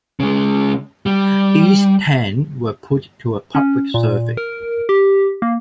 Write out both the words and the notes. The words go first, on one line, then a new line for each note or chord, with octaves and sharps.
These ten were put to a public survey.
C#3 G#3
G3
C#4
A#2
A#4
G4
A#3